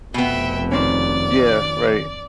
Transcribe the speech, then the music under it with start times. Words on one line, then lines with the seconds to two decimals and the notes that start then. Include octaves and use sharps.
Yeah, right.
0.14 F1 F2 B2 B3 E5 G5
0.72 D#3 C4 C#4 D5